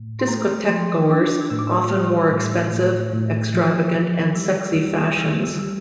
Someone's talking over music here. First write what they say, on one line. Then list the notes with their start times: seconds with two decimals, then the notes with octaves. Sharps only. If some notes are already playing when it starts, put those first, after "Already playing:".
Discotheque-goers often wore expensive, extravagant and sexy fashions.
Already playing: A2
0.20 C6
0.28 A3 A#5
0.69 F3 C6
1.10 D4 D6
1.50 A2 E6
1.59 D6
1.67 E6
1.91 G3 F6
2.31 A2
2.72 A2
3.13 A2
3.54 F3
3.95 F3
4.35 G3 E6
4.76 G3
5.08 F6
5.17 C2 E6
5.44 E6
5.58 G3 E6